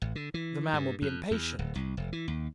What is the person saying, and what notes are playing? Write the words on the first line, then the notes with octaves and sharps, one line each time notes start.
'The man will be impatient.'
A1
D3
E3
G2
F2
E2
D1
C2
F1
E3
D#2